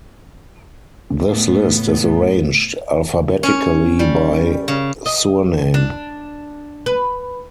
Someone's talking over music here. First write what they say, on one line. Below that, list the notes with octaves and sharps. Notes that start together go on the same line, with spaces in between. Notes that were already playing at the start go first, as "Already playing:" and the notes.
This list is arranged alphabetically by surname.
A2 B3
C#4
G3
C#3
D#5
D4
B4